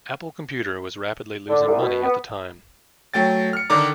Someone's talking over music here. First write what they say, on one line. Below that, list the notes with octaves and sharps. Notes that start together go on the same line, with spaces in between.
Apple Computer was rapidly losing money at the time.
D3
C2
B2
B3
F#3 A3 G5 A6
F6 C#7
D3 D#3 D4 A#5 D6